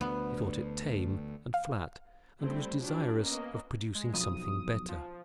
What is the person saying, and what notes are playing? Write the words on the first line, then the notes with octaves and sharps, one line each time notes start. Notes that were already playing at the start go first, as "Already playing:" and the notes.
She thought it tame and flat, and was desirous of producing something better.
D2 B3
F5
G3 A3 C4 E4
F3 F#3 D4 G4
A#3 B3 C#4 D#5
G#3
B1 F2 D#6
F3